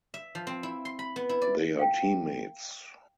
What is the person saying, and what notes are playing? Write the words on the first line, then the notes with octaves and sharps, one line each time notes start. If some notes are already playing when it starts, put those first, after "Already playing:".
They are teammates.
E5
F3
C4
E4
C6
B5
B3
E4
D5
F5 G5